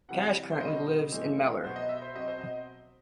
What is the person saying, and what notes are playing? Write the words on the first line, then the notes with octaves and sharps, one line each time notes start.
Cash currently lives in Mellor.
C3 E3 G3 C4 F#5
C5
B2 G3 C4 D#5
G2 E3 A3 C4
B2 F#3 B3 C5
D#5
E5
C5
B2 F#3 C4 D#5
C5
D#5